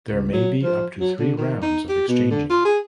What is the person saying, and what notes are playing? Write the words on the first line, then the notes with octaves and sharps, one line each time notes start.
There may be up to three rounds of exchanging.
C#2
F#3
F3
F#3
D3
D#3
D#4
G4
B2
D3
F4
G#4